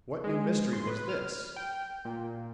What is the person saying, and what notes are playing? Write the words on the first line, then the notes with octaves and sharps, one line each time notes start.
What new mystery was this?
G#3
C6
B4
F6
G5
A#2